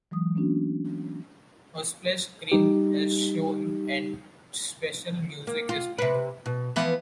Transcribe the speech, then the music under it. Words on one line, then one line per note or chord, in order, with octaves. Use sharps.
A splash screen is shown and special music is played.
E3 F#3 G#3 D#6
A#3 B3 C#4 D4 F#4
G3 D#4 G4
A#3
F4
C3 B4
B2
E3 F3 B3